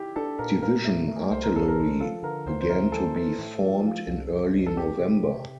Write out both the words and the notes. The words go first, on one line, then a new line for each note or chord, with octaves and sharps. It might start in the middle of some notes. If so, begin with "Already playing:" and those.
Division artillery began to be formed in early November.
Already playing: E4 G4
D4 A4
A#2 A#4
A#2 A#4
A3
A3
C2 C5
A#4
C2 A4
A#4
C2
F3 A4
D3 A#4
D2 C5
C5
E3 A#4
E3 A4
E3 A4
A2
F3
F3
C2
C2
C2
A4
C4 G4
C3
C3